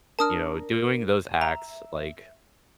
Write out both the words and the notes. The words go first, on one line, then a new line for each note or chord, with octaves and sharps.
you know, doing those acts, like
D4 A#4 A5 D#6 F6
E5 A#5